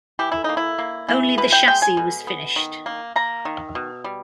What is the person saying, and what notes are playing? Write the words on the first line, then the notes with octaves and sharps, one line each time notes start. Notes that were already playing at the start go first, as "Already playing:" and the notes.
Only the chassis was finished.
E3 G4
E4
A#3 D#4
E4
A#3
E3
B2 B4
G5
G#3 G5
G#5
B2
B3
D#3
A#3
A#3 A#5
D#3
B2
G3